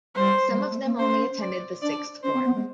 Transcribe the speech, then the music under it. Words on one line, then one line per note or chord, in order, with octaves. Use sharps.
Some of them only attended the sixth form.
G3 C5
G3
G#3
A3
A#3
C#4 C5
D5
D4 D5
C#4 C5
C4
B3
G#3